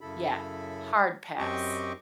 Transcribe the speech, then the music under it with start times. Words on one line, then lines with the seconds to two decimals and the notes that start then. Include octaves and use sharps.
Yeah, hard pass.
0.01 F#2 C#3 E4 A4 B5
1.39 F#2 C4 G4 D#5 C#6 D6